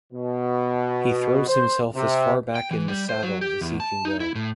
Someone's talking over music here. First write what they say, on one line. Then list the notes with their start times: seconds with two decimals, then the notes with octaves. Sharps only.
He throws himself as far back in the saddle as he can go.
0.13 B2
1.48 C5
1.95 C3
2.56 G5
2.71 E3
2.88 G3
3.09 C5
3.23 F#3
3.41 G4
3.61 E2
3.80 A5
4.05 D#4
4.20 E4
4.35 A2